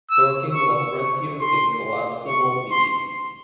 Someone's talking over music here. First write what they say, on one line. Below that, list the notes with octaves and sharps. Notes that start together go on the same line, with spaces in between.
Dorking was rescued in Collapsible B.
E6
C#6
C#6
C6
C#6
C6